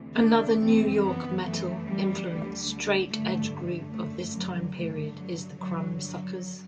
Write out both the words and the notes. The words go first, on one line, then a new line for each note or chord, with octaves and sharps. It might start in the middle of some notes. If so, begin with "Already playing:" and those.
Another New York metal-influenced straight edge group of this time period is the Crumbsuckers.
Already playing: D2 C3 E3
D4
F#2 E3 C4
B3
F#2 E3 A3
G3
D2 D3
G2 D3 A3
A3
F#2 D3 A3
F#3
G2 D3 A3
F#3
G2 D3 F#3
F#3